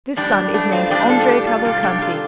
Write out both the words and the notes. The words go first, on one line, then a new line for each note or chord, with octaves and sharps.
This son is named Andrea Cavalcanti.
A2 G3 D4 G4
A3 D4
C4 F4
A2 G3 D4 G4
F4 A4
D4 G4
F4 A4
C3 G3 F4 A4
D4 G4
F4 A4